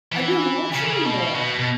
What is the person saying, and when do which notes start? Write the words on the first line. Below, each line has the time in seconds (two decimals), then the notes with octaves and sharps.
I've been watching him more.
0.12 E3
0.74 C#3
0.83 E3
0.92 C#3
1.05 B2
1.35 B2
1.59 B2